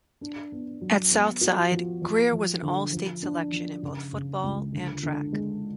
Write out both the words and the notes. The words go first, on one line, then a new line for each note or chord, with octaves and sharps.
At South Side, Greer was an all state selection in both football and track.
D4
B3
F#3
B3
F#4
F3
F3
F3
D3
F3
D4
F3
C#3
C#3
C#2
D3
D3
G#3